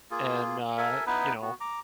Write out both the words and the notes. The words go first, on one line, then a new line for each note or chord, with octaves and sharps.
And, uh, you know,
A#3 F4 G#4
A4 A#4 E5 G#5
B3 D#4 E4 B4
B3 F#4
A#5 D6